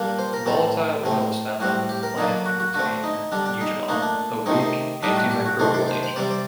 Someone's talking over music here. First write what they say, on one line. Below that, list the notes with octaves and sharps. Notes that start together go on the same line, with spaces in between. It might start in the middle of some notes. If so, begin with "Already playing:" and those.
Volatile oils found in the plant contain eugenol, a weak antimicrobial agent.
Already playing: A#2 G3 A#3 D4
C5
A#4
A2 A3 C4 A4
A2 A3 C4
A2 G3 C4 F#4
G4
A#4
D3 F#3 A#3 D#4
F#4
F#4
D3 A3 C4 F#4
D#4
D3 G3 D4
D4
D#4
A#2 A3 D4 D#4
D4
C3 D#3 A3 C4 D#4
D#4
A2 G3 D4 D#4
F#4
G4
F#4
C3 D#3 A3 D4 C5
D5
C5
C5
C3 G3 C4 D5
D5